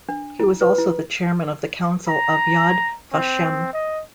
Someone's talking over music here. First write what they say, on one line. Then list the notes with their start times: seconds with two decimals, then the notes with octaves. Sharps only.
He was also the chairman of the council of Yad Vashem.
0.09 D4
0.40 E4
0.61 B4
0.78 E4
2.08 A#5
3.13 C4
3.73 D#5